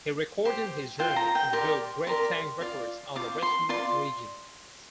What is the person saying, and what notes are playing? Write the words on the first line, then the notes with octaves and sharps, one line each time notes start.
He recorded his journey in the book "Great Tang Records on the Western Regions".
G4 C5
F4 C5 G5
A#5
G5
G4 A#4 D5 C6
G4 A#4 D5 C6
F4 D5
F4 C5 D6
C6
F4 D5 C6